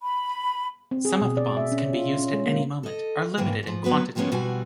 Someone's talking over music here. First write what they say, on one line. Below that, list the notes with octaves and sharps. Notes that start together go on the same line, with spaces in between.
Some of the bombs can be used at any moment, are limited in quantity.
B5
C4
G#4
B2
D5
E5
C#4
F4
C#4
G#3
A#3
A4 D#5
G#2 D#3 E3 A#3
G#2 F3
F#3 A#3 B3 F#4 B4
D#3 F3 G#3 A#3 B3 C#4
B2 F3 G3 E4 F#4 G#5